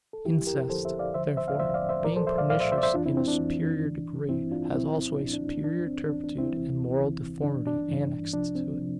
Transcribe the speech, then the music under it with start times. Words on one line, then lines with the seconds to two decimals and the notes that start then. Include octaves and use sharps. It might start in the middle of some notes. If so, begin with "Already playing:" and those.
Incest, therefore, being PERNICIOUS in a superior degree, has also a superior turpitude and moral deformity annexed to it.
0.13 A4
0.25 F2 D3 F3 E4 G4
0.47 G4 A#4
0.69 F2 D3 F3 A4 C5
0.85 C5 E5
0.99 D5 F5
1.14 D2 D3 F3 C5 E5
1.37 C5 E5
1.48 D5 F5
1.59 D2 D3 F3 C5 E5
1.74 D5 F5
1.89 C5 E5
2.05 C2 A#2 F3 A#4 D5
2.16 A4 C5
2.27 C5 E5
2.38 D5 F5
2.49 C2 A#2 F3 D5 F5
2.60 C5 E5
2.72 C5 E5
2.78 D5
2.83 C5 E5
2.94 F2 E3 D4 F4
3.06 C4 E4
3.17 C4
3.28 D4
3.40 F2 E3
3.84 G2 E3
4.29 G2 E3 C4 E4
4.52 D4 F4
4.74 C2 A#2 F3 C4 E4
5.19 C2 A#2 F3 D4
5.33 D4
5.49 D4
5.64 E2 E3 D4
5.86 C4
6.09 E2 E3 D4
6.24 D4
6.38 C4 E4
6.53 D2 C3 E3
6.99 D2 C3 E3
7.43 G2 E3 D4
7.67 D4
7.88 G2 E3
8.33 C2 C3 F3 D4
8.56 C4
8.80 C3 F3